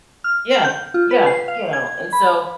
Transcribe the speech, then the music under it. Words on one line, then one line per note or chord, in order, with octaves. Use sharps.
Yeah, yeah, you know? And so,
F6
G6
F4
B4
C7
F5
G#6
B5